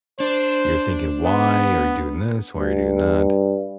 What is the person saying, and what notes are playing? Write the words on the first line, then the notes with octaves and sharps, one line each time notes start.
you're thinking, "Why are you doing this? Why are you doing that?"
D4 C5
B3
G2